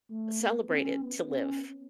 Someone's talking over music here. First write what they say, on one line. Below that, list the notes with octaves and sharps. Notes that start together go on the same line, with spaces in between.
celebrated to live?
A3
B3
C#4
B3
C#4